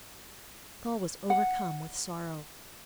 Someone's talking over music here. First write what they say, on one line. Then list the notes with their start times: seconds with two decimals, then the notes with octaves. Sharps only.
Saul was overcome with sorrow.
1.30 F#5